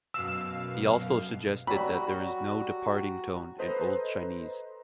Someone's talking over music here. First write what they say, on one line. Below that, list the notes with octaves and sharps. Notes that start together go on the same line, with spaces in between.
He also suggested that there is no departing tone in Old Chinese.
F#2 B2 F5 E6
F#3 G3 F#4 B5
A4 B4 C5 D#5 A#5